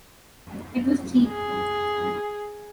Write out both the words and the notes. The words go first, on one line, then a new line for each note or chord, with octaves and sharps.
It was cheap.
G#4